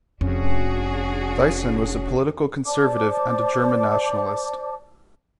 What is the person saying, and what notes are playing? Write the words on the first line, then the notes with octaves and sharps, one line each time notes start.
Thyssen was a political conservative and a German nationalist.
F1 F2 C#4 D4 F#4 G#4
C5 D5 A5 D6